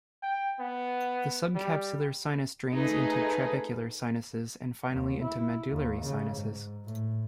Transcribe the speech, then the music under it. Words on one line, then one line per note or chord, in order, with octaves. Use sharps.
The subcapsular sinus drains into trabecular sinuses and finally into medullary sinuses.
G5
B3
G3
A3 D#4 G#4 B4
D#2
E4
D#2
C#3
G#2
A2